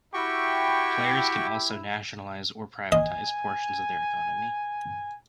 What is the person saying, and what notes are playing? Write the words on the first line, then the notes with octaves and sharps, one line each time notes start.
Players can also nationalize or privatize portions of their economy.
E4 F#4 G4 G5 C#6
D#5 G#5